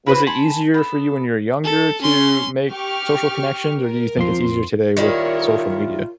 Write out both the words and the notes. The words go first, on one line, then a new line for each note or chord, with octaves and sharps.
was it easier for you when you were younger to make social connections, or do you think it's easier today with social media?
E4 F#4 B4 C5
G#5 A5 B5 C6
B3 A4
A4
C#4 C6
G4 C#6 F6
A#4
F2 F3 C6
D#3 G3 E4 F4 A#4 C#5